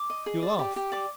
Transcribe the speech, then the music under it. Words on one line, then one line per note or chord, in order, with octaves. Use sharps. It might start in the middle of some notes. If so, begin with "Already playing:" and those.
You laugh!
Already playing: D6
D#5
G#4
D5
G4
G4
D5 D6